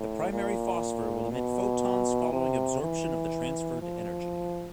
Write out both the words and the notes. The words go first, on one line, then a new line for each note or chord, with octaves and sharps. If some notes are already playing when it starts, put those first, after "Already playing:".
The primary phosphor will emit photons following absorption of the transferred energy.
Already playing: A2
A#2
B2
C3
E3
F3